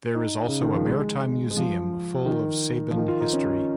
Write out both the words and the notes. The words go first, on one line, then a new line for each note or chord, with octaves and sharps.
There is also a maritime museum full of Saban history.
D#4
C#3
D#3
F3
G#3
G#3
F3
D#3
F3
D#3
F4
D#4
C#4